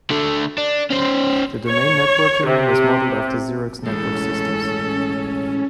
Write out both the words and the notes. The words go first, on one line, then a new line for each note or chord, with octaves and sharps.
The Domain networking was modeled after Xerox Network Systems.
D3 A3
D4
C#4 C5
C#5
C3
A2 E3 G#3 C#4 A4